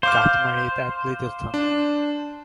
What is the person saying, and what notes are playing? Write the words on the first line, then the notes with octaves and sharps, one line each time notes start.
Got married at Lyttleton.
C5 F5 D6 F6
D4